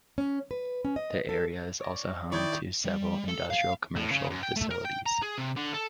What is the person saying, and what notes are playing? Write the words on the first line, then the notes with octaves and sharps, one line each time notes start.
The area is also home to several industrial commercial facilities.
C#4
B4
C#4
D#5
A4
C#5 D5 A#6
D#3 E4 C#5 D5 G5 D#6 G6
G3
A4
F5
A2
C#3
F#2
G5
A3
A#4
G5
A#5
G#4
C3
D3
A4